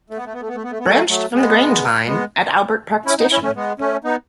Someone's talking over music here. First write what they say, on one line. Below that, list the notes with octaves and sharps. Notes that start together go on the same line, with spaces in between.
Branched from the Grange line at Albert Park station.
A3
B3
A3
B3
A3
B3
A3
B3
A3
B3
F#3 A3
F#3 A3
G#3 B3
G#3 B3
C#4 E4
B3 D#4
C#4 E4
A3 C#4
G#3 B3
A3 C#4
B3 D#4